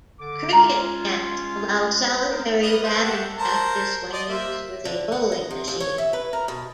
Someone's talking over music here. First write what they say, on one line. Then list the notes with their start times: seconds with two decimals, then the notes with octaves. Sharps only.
Cricket nets allow solitary batting practise when used with a bowling machine.
0.20 D3 D6
0.53 G#3 C#4 F4 A#5
2.30 D#4 A#4 C5
2.62 A#3 B4 D#5
2.83 B4 C5
3.03 G4 A4 F#5
3.38 A#4 C5 A5
4.12 D5 D#5 C6
4.28 A#3 C5 E5
4.85 D3
5.12 F#5
5.32 D#5
5.51 C3
5.68 D#2
5.80 C#5
5.98 E5
6.13 B4
6.33 A#4
6.48 B2